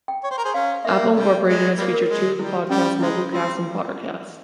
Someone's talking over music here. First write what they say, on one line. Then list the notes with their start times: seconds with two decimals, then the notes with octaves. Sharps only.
Apple Incorporated has featured two of the podcasts, MuggleCast and PotterCast.
0.08 G5
0.23 C#5
0.31 C5
0.37 A#4
0.44 G#4 C5
0.54 C#4 F5
0.85 A#3 E5
1.16 C3 G3
1.47 G#3 C5
1.78 G3 A#3 C5
1.94 A#4
2.09 G#3
2.39 G3 E4
2.70 G3 C#4
3.00 C#3 G#3 E4
3.31 C4 F4